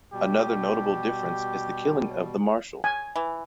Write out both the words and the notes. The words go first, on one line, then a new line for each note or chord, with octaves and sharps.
Another notable difference is the killing of the Marshall.
B2 G3 G4
G#5
E3